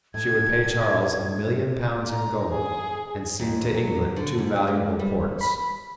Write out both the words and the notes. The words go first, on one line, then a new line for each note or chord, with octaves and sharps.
She would pay Charles a million pounds in gold and cede to England two valuable ports.
A2 G#6
A#5
G#4
D#2
F#3
D3
G#2
D4
G#3
G3
B5